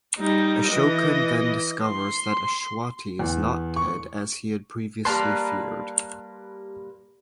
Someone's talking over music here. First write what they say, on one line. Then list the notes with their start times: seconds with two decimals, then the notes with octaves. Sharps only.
Ashokan then discovers that Ashwati is not dead as he had previously feared.
0.19 G3 D#4
0.67 E3 D#5
1.85 C6
3.19 E2
3.76 C#6
5.05 G3 A#3 B4 A5 C6